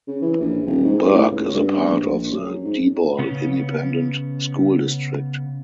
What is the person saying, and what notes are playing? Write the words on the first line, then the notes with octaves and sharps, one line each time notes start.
Burke is a part of the Diboll Independent School District.
C#3
E3
A#1
D#1
G#2
A2
C#2
G2
A#1
A#1
F#2
G#2
C#3 B3 C#4